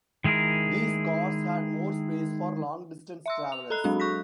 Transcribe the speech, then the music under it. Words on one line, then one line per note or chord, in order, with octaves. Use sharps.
These cars had more space for long-distance travelers.
D#3 G#3 E4 G#4 A#4
E5 C6 E6
F7
A4 A#5 B5 F#6
F#3 G#3 D4 F#4
C#6 F#6 A#6 B6